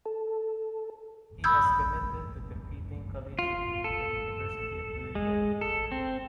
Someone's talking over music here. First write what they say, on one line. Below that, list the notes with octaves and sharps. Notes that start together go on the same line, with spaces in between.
He has committed to competing collegiately for the University of Louisville.
A4
B5 D#6 E6 G6 G#6
F4
A4
G#3
A4
C4